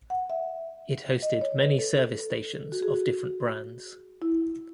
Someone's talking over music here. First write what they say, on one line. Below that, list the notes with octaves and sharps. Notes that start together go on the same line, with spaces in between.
It hosted many service stations of different brands.
F#5
E5
D#5
C#5
B4
A4
A4
F#4
G#4
F#4
E4